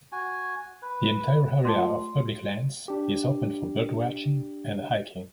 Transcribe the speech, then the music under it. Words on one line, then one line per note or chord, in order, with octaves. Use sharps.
The entire area of public lands is open for birdwatching and hiking.
F#4 G#5
B4
A3 F4 A5 C6
D4 G4